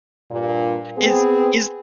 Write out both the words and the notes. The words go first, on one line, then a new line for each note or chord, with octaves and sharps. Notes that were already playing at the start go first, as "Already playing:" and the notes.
Is is
G2 A#2
B3 C4 G#4